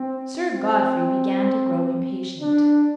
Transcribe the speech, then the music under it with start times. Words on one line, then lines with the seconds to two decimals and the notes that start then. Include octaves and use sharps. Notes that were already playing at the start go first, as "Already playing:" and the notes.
Sir Godfrey began to grow impatient.
Already playing: C4
0.54 C4
2.42 D4